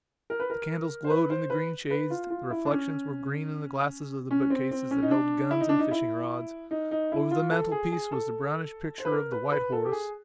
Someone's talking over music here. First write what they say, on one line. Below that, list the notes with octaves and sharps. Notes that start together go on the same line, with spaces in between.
The candles glowed in the green shades; the reflections were green in the glasses of the book-cases that held guns and fishing-rods. Over the mantelpiece was the brownish picture of the white horse.
A#4
B4
A#4
C5
B4
C5
B4
B4
F4
F4
E4
D4
C#4
C#4
C4
C4
C#4
D#4
D4
E4
D#4
D4
D#4
E4
D#4
D#4
E4
F4
A4
G#4
G#4
A4
C5
B4
A#4
B4
B4
A4
G4
G#4